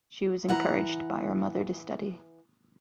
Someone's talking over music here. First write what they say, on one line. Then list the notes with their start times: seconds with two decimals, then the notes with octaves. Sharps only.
She was encouraged by her mother to study.
0.49 E3 F#5 A#5